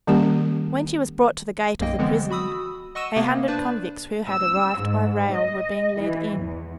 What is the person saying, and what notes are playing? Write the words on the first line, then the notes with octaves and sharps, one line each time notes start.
When she was brought to the gate of the prison, a hundred convicts who had arrived by rail were being led in.
D#3 G3 A#3 C#4 G4
B1 F#2 A#3 D#5 G5
D3 E3 F3 G#3 B3 C4
F#4 B5 D#6 E6
D#5 F#5 C#6 E6 D#7 E7
C3 A#3 B3
D4 B4 C5 D5
E6
G#2
D#5
E3
E2